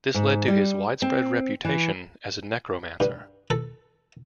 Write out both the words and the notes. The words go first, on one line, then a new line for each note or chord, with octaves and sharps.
This led to his widespread reputation as a necromancer.
G#2
G3
C4
E3
G2
A4